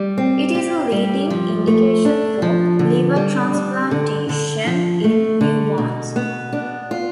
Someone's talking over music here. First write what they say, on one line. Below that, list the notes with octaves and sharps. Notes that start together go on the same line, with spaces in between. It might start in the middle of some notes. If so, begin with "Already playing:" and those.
It is a leading indication for liver transplantation in newborns.
Already playing: G3
C4
G4
G3
F3
A3
D4
F3
D3
G3
D4
D3
D3
F3
A3
D3
B2
B3
D4
F4